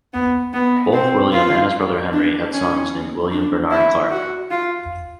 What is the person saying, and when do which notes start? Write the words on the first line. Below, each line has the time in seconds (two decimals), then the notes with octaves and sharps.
Both William and his brother Henry had sons named William Barnard Clarke.
0.14 B3
0.54 B3
0.94 C4
1.33 F4
2.13 D4
2.52 C#4
3.32 D4
3.71 E4
4.11 F#4
4.51 F4